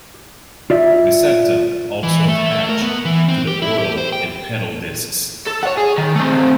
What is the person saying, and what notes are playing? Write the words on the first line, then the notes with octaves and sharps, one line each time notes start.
The septa also attach to the oral and pedal discs.
F4 D5 E5
E3
A3
A#4
B3
E3
C4
G4
E4
G4
C5
G5
A4
C#5 F#5
G#4
D#3
A3 C4